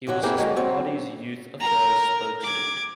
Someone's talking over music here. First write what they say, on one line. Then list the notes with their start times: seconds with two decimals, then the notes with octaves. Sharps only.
He was his party's youth affairs spokesman.
0.07 F2 D3 F#3 F#4
0.23 A#3 C4 E4 G4 G#4 A#4
0.37 D3 F#3 G#3 A#3
0.56 F#3 C4
1.60 A#4 A#5
2.43 D6 G#6